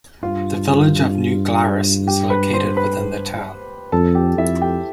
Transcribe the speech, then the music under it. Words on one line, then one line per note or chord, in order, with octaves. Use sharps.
The village of New Glarus is located within the town.
G2 F4 F5
G4 G5
B4 B5
C5 C6
B4 B5
F2 A4 A5
G4 G5
F2 E4 E5
G4 G5